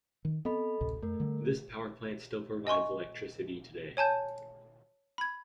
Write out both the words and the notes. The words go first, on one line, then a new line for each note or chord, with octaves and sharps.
This power plant still provides electricity today.
D#3
B3 C4 A4 D#5 B5
A1 D2 C3
F2 A3 A#4
D3 G3
D#5 G#5 C6 C#6
C#5 G#5 A5 G6
B5 G#6